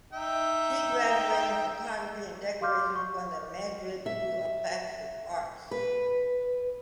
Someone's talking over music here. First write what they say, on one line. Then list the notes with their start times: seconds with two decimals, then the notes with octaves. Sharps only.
She graduated in Photography and Decoration from the Madrid School of Plastic Arts.
0.13 D#4 E5 G5
2.61 G4 F5 C6 D6 F6 G6
2.96 C#6
4.06 E5
5.71 B4